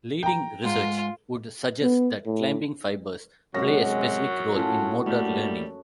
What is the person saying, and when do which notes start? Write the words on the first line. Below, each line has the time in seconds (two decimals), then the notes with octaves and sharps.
Leading research would suggest that climbing fibers play a specific role in motor learning.
0.23 G5 A#5
0.64 G#2 G#3 F4 F#5
1.83 B3
2.26 A2
3.54 F#2 C3 F#3 G#3 F#4 A#6
4.56 A2 C#4 F4 F#4 A4
5.06 G3 A3 A#3 A#4